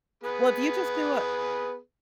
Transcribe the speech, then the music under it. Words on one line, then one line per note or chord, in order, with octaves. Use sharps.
Well, if you just do a
B3 G#4 B4